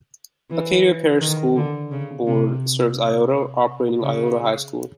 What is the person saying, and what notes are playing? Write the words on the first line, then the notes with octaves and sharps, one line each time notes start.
Acadia Parish School Board serves Iota, operating Iota High School.
E3
D#3
D3
C#3
C3
C#3